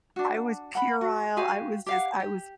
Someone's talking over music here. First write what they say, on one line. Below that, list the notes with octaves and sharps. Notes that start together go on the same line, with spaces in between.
I was puerile. I was just I was
D4 F#4
F#5 B5
F#4
F#4 G4 F5 G#5
G4 F5 F#5
G4